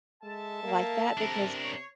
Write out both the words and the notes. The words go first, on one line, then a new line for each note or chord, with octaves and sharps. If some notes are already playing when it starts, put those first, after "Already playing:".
like that? Because
G#3 A4 E5 A5
A#3
C3 D4 A#4
C#5